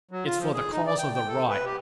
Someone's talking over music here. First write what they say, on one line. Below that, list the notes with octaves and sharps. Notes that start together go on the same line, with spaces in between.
It's for the cause of the right.'
F#3
F4
F3
G#4
D#4
D5
G5
G5
A4
B4
G4